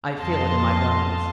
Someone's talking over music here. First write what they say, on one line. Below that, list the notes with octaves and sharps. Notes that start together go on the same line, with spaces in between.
"I feel it in my bones."
F2 D#5 F5 A5 C6